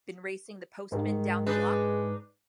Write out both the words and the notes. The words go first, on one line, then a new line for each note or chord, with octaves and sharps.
Been racing the postman down the block?
G#2 D#3
G#3 D4 D#4 B4